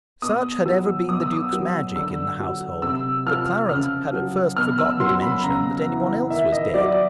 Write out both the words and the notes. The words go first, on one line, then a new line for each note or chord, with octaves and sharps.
Such had ever been the Duke's magic in the household that Clarence had at first forgotten to mention that any one else was dead.
B2 D#6
F#3 E6
B2 D#6
E6
D#6
F#3
D3 E6
F#3
C3 E6
F3 F6
C#3 F6
F#3
B2 F6
E6
F#3 C6
B5
C#3 A#5
E3
D#3 E5
D#5
F#3 D5